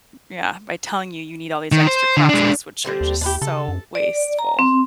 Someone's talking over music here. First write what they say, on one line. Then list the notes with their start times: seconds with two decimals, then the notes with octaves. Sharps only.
yeah, by telling you you need all these extra classes, which are just so wasteful.
1.72 D#3
1.87 C5
2.17 D3
2.29 G#3 D4
2.85 D3 G3 C4
3.01 D#2
3.21 D4 E4 G4
3.42 C#3 A4
3.68 F#2
3.95 D5
4.39 A#5
4.59 C4